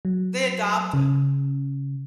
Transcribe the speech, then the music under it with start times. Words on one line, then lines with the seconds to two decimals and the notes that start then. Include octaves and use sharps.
They adopted.
0.05 F#3
0.93 C#3